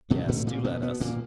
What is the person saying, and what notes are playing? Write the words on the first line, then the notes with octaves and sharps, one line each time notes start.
"Yes, do let us."
B2 B3
A2 A3
A#2 A#3
B2 B3
B2 B3
A#2 A#3